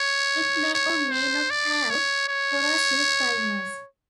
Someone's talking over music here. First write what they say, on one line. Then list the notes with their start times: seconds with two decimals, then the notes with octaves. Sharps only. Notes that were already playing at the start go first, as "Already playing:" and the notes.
It may or may not have corrosive primers.
Already playing: C#5
0.74 C#5
1.12 C5
1.50 D5
1.90 C#5
2.28 C#5